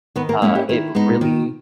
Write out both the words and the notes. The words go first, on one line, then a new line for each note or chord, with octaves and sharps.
Uh, it really
D#3 B3 B4
A#3 A#4
G#3 A#3 C#4 E4 G#4
G4
D#3 E4
G#3 B3 D#4
D#3